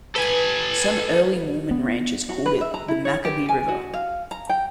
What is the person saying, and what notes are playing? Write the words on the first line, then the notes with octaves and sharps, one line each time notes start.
Some early Mormon ranchers called it the Macaby River.
A4 B4 G#5
B3
F#4
B4
E5
A#5
E4
C#5
G4
G#5
F#4
F5
A#5
G5